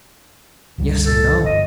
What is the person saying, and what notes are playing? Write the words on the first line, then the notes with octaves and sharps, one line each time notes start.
"Yes, I know."
G1 C#2 G3
A4
G1 D#5